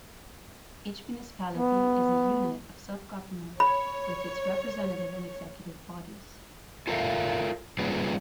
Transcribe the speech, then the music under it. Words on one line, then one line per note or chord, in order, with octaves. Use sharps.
Each municipality is a unit of self-government with its representative and executive bodies.
B3
C#5 B5
F4 A4 A#4 C5 E5 F5
G3 A#3 C#4 F4 G#4 B4